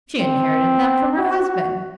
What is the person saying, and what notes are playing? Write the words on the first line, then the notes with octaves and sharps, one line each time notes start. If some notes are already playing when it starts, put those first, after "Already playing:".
She inherited them from her husband.
C4
F#4